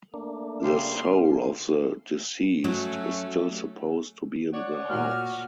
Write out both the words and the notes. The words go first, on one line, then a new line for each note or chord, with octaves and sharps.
The soul of the deceased is still supposed to be in the house.
A3 A#3 D4
C#3 G3 G4 C6
F#3 A3 C#4
C#5 D5 F#5
A#2 F#4 F6